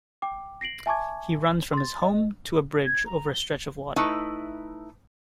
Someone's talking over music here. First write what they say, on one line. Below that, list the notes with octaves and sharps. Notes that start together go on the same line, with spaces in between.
He runs from his home to a bridge over a stretch of water.
G5 D6
A#6 C7 D7 F#7
E5 G#5 A5 C#6 D6 G#6
C6 A6
D#5
G#6
A#5
G7
A3 D#4 E4 B4